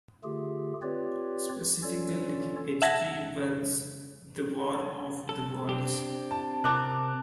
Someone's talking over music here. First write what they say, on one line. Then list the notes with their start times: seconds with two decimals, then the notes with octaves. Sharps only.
Specifically, H. G. Wells' "The War of the Worlds".
0.24 D3 A3 F4 G4 G#4
0.82 C4 F4 G4 B4 C#5 D5
1.83 C#4 F4 A4 C#5 D5
2.82 E5 F#5 A5 G#6 A#6 B6
5.29 A4
5.69 C4 D4 G4
6.31 A5
6.64 C3 C4 A#4 A5 D6 F#6